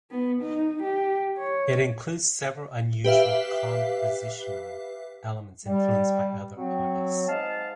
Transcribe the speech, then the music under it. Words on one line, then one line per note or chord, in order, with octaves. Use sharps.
It includes several unusual compositional elements influenced by other artists.
B3
D#4
G4
C#5
G4 B4 E5 F5
G3
F#3 C4
G#2 G#3 F5 A5